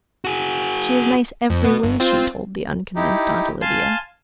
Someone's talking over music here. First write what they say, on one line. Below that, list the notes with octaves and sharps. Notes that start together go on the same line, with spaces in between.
"She is nice every way," she told the unconvinced Aunt Olivia.
F#4 G#4
F2
B2 B3
G1
C4 F4
D#4 E4 G4
F5 G#5 A5 C6